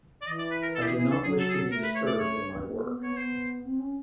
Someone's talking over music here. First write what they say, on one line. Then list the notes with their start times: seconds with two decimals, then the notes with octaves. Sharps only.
I do not wish to be disturbed in my work.
0.22 D5
0.27 E3 D#5
0.38 D5
0.51 B4
0.62 A#4
0.75 A4
0.82 G4
0.87 G#4
0.99 G#4
1.11 A4
1.23 F#3 G#4
1.40 A4
1.49 G#4
1.55 A4
1.71 A3 A#4
1.83 B4
1.96 C#5
2.07 D5
2.19 C#5
2.67 A#3
2.83 B3
2.99 B3 C#5
3.16 B3 C5
3.64 C4
3.79 C#4